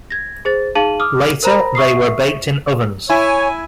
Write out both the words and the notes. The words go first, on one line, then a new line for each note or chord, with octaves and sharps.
Later they were baked in ovens.
G#6 A#6
G#4 C5 A6
D#4 G#4 F5 A5 D#7 F#7
D6 D#6 F6
A#4 C5 A#5 B5 A#6
E5 C#6 D#6 C7
E4 C#5 G#5